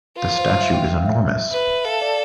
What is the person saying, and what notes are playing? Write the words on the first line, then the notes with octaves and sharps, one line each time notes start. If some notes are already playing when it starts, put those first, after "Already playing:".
The statue is enormous.
F4 B4
C5
E5
G5
F5
E5
E5
B4 E5
E5
A4 F5
D5